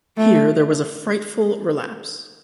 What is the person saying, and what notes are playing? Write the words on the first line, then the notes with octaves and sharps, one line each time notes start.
Here there was a frightful relapse.
A3